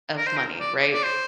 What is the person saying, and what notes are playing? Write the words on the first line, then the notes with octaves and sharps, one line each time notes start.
of money? Right?
A#4
C5
A#4
D5
D5
C5